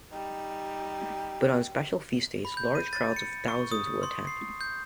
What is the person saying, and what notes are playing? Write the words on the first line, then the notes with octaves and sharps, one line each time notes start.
But on special feast days, large crowds of thousands will attend.
G3 D#4 G5
B5
G6
D#7
A6
C#7
C#6
D#6
C6
C7
G6